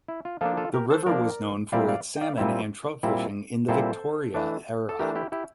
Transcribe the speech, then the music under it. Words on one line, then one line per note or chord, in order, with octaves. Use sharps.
The river was known for its salmon and trout fishing in the Victoria era.
E4
F4
F3 A#3 D4 F4 A4
F4 A4
G4 A#4
A4 C5
F3 A#3 D4 A#4 D5
A#2 G3 C4 E4 D5 F5
D5 F5
G5
D5 F5
A#2 G3 C4 E4
A#2 G3 C4 E4
A#2 G3 C4 E4 A4 C5
E3 A3 D4
A4
E3 A3 D4 G4 A#4
E4 G4
E4 G4